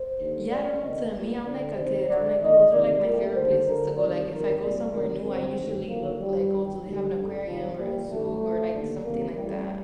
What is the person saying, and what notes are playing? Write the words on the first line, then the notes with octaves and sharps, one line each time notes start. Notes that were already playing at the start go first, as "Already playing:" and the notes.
Yeah, I don't know, to me, I'm like a kid, I'm like, oh, those are like my favorite places to go. Like, if I go somewhere new, I usually look like, "Oh, do they have an aquarium or a zoo," or like something like that.
Already playing: C5
D#2 D3
A#1 A2 D5
D2 C3 D#3 D#5
A#1 A#2
D2 D3 D5
D2 C3 D#3 C5
D2 D3 D5
G1 F2 D#3 D#5
D2 C3 D#3 D5
A#1 A2 A#4
D#2 D3 C5
D2 D3 A#4
C2 C3 D#3 D5
G1 F2 D#3 A#4
C2 A#2 D5
D2 C3 D#3 A#4
G1 G2 D3 C4
G1 G2 D#3
D#2 D3 A#3
G1 G2 D#3 G3
G1 G2 D#3
D#2 D3 G3
A1 G2 D3
C2 C3 D#3 F3
A#1 A#2 G3
A1 G2 D#3 A3
A#1 A#2
D#2 D3
D2 C3 D#3 A#3
A1 A2 G3